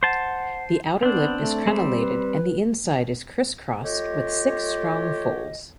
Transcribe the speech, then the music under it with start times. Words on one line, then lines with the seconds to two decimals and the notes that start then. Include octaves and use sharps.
The outer lip is crenellated and the inside is crisscrossed with six strong folds.
0.03 C5 F#5 A5
1.03 B3 C4 D4
1.40 A3
1.67 G3 C4
1.98 B4
3.83 A3 F4 G4 C#5 D#5